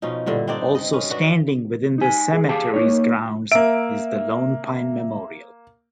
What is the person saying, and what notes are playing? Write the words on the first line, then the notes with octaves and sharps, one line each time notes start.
Also standing within the cemetery's grounds is the Lone Pine memorial.
B2 F3 C#4 D#4
G2 A#2 D3 E4
C4 D4 D#4 D5
D#5
C#4 B4
D4 F#4 B4
D#4 G#5
G#4
G4 G#4 F5 G5 A5
A#3 D#4 C#5
A#3 E5 D7